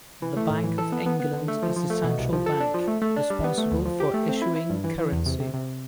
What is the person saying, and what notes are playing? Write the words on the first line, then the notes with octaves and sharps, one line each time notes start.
The Bank of England is the central bank, responsible for issuing currency.
E3
A3
A2
E3
A4
B3
B3
B3
D3
A3
F3
F3
A3
B2
C2
F3
A4
D4
F3
A3
A3
D4
G3
B3
A3
D2
F3
G4
A3
C4
E4
E4
G2
E3
E3
E2
C3
C3
C3